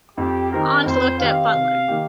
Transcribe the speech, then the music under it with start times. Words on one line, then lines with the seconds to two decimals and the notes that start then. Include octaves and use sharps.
Aunt looked at butler.
0.18 F2 G4
0.52 D#3 C4 G4 A#4
0.86 F2 C5
1.20 D#3 C4 G4 F5
1.54 C3
1.88 D#3 A#3 G4